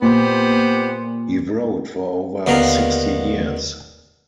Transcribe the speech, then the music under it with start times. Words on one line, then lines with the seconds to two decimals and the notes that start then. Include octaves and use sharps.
He wrote for over sixty years.
0.02 A#2 B3 G4 C5
2.47 D#2 D3 B3 A#4 F5